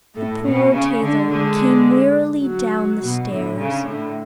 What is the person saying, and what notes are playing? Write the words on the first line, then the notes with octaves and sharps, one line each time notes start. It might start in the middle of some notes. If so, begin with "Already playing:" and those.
The poor tailor came wearily down the stairs.
A2 A4
B2 C#4
C#3
D3
D3 G#3
F#3
B2
A2 D3
C#3
A2 D3